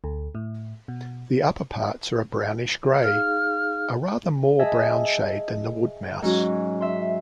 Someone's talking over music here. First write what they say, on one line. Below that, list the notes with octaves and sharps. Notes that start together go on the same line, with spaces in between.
The upperparts are brownish-grey, - a rather more brown shade than the wood mouse.
D2
A2
B2
D#4 G#4 F5 F6
G#4 D#5 E5 G#5 A5
G#2 F#3 C#4 F#4
E5 C6